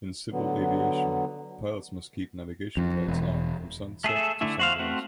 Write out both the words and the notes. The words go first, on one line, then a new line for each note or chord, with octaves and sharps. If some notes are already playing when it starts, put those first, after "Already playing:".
In civil aviation, pilots must keep navigation lights on from sunset to sunrise.
D3 F#3 B3
F2
E1
A3 G#4 A4 E5
D3 A3 E4
F#4 C5 F5
A3 C4 F#4